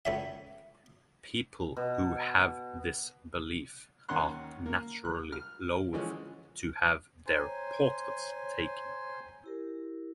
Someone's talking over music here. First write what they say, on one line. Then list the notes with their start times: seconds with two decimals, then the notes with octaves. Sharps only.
People who have this belief are naturally loath to have their portraits taken.
0.05 C#2 C#4 E5
1.77 B2
4.09 D#2 D#3 C#4 F#5 C6 F#6
4.66 A#3
5.05 F#6
5.32 F6
5.93 D3 E3 F3 G#3 C#4
7.26 C5 C#5 G5 G#5 A#5 C6
9.44 E4 G4 A#4